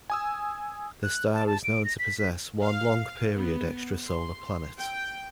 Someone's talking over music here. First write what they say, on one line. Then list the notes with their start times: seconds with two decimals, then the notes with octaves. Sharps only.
The star is known to possess one long-period extrasolar planet.
0.10 G#5 D#6 E6
1.03 F#6
1.34 A5
1.47 A5
1.64 D7
1.85 A#6
1.99 B6
2.19 B6
2.62 F5
3.35 B3
4.05 C6
4.78 G5